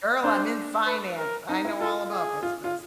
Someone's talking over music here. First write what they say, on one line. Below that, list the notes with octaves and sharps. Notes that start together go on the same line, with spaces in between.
Girl, I'm in finance, I know all about business.
D4 C5
B4
A#4
D#4
E4
F4 A4
G#4
F4
F4